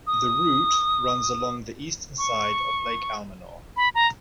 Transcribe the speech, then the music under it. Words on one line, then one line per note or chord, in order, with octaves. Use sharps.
The route runs along the eastern side of Lake Almanor.
D#6
C#6
B5
A#5